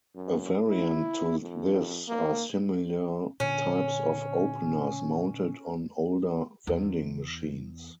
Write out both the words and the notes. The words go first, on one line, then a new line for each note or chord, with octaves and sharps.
A variant to this are similar types of openers mounted on older vending machines.
F#2
E4
F2
A#3
A#2 D3 C#4
E2